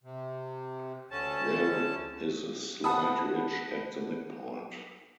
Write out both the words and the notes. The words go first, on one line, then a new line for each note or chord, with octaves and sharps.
There is a slight ridge at the midpoint.
C3
D2 D3 C#4 A5
F#5 A5 B5 D#6